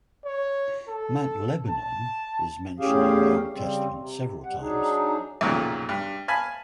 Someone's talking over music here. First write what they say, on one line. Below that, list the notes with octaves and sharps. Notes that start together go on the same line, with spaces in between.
Mount Lebanon is mentioned in the Old Testament several times.
C#5
A4
A5
E2 A2 C#4 G4 G#4 F5
C#3 G3 C4
C3
G3 F#5
F#3 D4 D#4 G#4
B1 F2 A#2 C#3 F#3
G2
F5 G#5 A5 B5